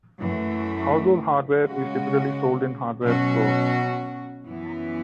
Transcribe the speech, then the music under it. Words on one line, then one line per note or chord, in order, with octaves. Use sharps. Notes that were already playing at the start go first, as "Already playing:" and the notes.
Household hardware is typically sold in hardware stores.
F#2 E3 A3
C#3 G#3 C#4 F#4
B2 F#3 C#4 F#4
F#2 E3 B3